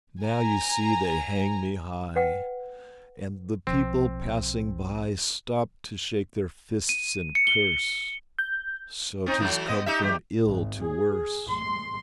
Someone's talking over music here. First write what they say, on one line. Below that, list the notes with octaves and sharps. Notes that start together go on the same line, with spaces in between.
"Now, you see, they hang me high, And the people passing by Stop to shake their fists and curse; So 'tis come from ill to worse."
G#5 A#5
B4 F#5 G5
B1 F3 C4
D#7
C#7
G7
G6
C4 D#4
E3 F#3 A3
B3 D#5
D#4 G4 E5
E2 G4
G#1
G#4
C6